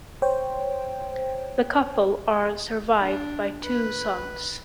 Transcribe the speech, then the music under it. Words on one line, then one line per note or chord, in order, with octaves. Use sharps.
The couple are survived by two sons.
C5 C#5 G5
D4
B4